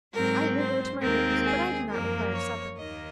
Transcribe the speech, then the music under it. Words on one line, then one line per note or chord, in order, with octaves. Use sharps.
I will go to my rooms, but I do not require supper.
G#2 F#3 C4 A#4
C5
D#2 D#3 G#3 C4 A#4
G#4
F#2 F3 A#3 A#4
C#5
D#2 D#3 A#3 D#5